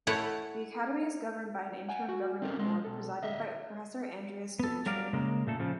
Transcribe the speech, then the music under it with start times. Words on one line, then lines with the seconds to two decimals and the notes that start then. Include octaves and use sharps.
The Academy is governed by an Interim Governing Board presided by Professor Andreas Demetriou.
0.07 A3 E4 C#5 F#5
1.89 F#5 G#5
2.09 F#4
2.42 C4 C#4 D#4 F4 A4 A#4
2.58 B1 G#3 C6
2.85 B1 A4
3.22 D2 D#5 E5
4.59 B3 A4
4.86 F#3 G3 A#4 D5 F5
5.13 C#3 G#3 A#3
5.47 A#2 A3 A4
5.60 C#3 F3